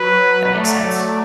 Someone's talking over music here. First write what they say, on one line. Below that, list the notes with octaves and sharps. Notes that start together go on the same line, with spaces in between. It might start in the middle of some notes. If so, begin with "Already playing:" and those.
That makes sense.
Already playing: F#3 B4
F#3
A3 D5